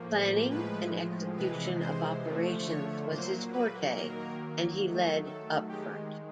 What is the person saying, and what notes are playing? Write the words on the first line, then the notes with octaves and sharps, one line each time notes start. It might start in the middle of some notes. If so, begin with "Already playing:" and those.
Planning and execution of operations was his forte and he led upfront.
Already playing: A2 F3 A#3
A2 F3 G#3 B4
C3 E3 G#3 B4
C5
D3 F3 A3
C#5
A#2 F#3 A#3 C5
B4
D#3 F#3 A#3 A#4
D#3 F#3 A3
A4
D#3 G#3 G4